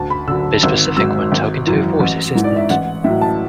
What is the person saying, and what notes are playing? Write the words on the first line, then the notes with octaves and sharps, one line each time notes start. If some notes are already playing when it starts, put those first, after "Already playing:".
Be specific when talking to a voice assistant.
Already playing: D2 A5
B5
D3 F#3 E6
G#1 E6
G#2 F#3 E6
G#1
F#2 E3
A1
G#2 E3
D5
E5
A1 F#5
A2 F#3 E5
A5